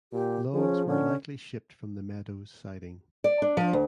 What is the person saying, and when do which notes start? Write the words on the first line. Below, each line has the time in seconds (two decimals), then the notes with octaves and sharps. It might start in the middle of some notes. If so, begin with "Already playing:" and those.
Logs were likely shipped from the Meadows siding.
0.13 A#2 G4
0.54 F3 C#4 G#4
0.88 D3 C#4
3.24 D5
3.42 D4
3.57 F3
3.73 D2